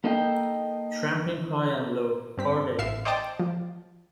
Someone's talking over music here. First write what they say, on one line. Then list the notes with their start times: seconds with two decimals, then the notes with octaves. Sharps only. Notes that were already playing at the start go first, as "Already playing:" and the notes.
Tramping high and low, are they?
0.04 A#3 D#4 A4 D#5 F5 G5
2.37 G2 C4 B6
2.78 A1 E5 F5 C7 E7
3.05 C5 D5 D#5 G5 A5 D6
3.40 F3